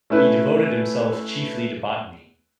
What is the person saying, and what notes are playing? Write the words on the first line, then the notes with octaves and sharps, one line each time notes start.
He devoted himself chiefly to botany.
A3 C#4 E4 B4